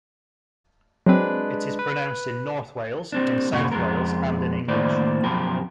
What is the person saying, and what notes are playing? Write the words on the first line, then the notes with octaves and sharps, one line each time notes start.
It is pronounced in North Wales, in South Wales, and in English.
F#3 G#3 C4 D4 B4
B4
G3 C4 D4
G2 A#2 C#3 F#4
F2 G#3 B3 A#4
A2 D#3 A#3 D4 C5 D5
F#2 B2 F3 G4 A#4